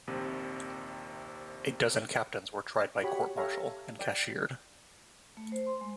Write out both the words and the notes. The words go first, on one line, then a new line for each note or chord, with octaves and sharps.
A dozen captains were tried by court-martial and cashiered.
A#1 D#2 C3
F#4 G4 C#5 B5
G4 A4 C#5 E5 F5 A#5
D5 G5
A3
C5
C6
G#3